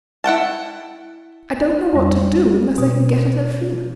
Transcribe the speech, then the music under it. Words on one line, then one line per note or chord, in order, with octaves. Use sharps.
"I don't know what to do, unless I can get at her feeling."
E4 F#5 G5 A5
F2 G3
B2